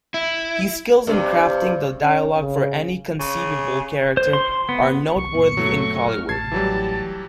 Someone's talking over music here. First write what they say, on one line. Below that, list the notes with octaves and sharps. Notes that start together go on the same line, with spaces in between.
His skills in crafting the dialogue for any conceivable character are noteworthy in Kollywood.
E4
G2 C3
C#4
C#3
C#3
C5
C6
B3
C2 C#6
F#2 A#2 B3
F#3 A3
F6
A1 A5 G#6 C7
E3 F#3 G3